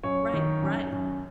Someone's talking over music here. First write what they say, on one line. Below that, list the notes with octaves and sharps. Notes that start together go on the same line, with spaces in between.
Right, right.
F#2 C#5
D#3
F#2
F#2